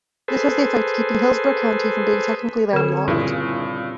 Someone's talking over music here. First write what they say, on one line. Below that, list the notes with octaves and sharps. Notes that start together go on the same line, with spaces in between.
This has the effect of keeping Hillsborough County from being technically landlocked.
G#4 A4 B4 C5
D3 C4 G#4 A4 C#5
G2 A#2 C#3 E4 F4 G#4